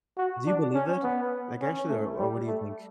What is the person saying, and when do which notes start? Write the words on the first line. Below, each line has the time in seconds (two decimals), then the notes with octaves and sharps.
Do you believe that? Eh, like, actually, or or what do you think?
0.17 F#4
0.46 D4
0.75 C#4
1.03 B3
1.61 C#4
1.89 A3
2.19 G3
2.47 A3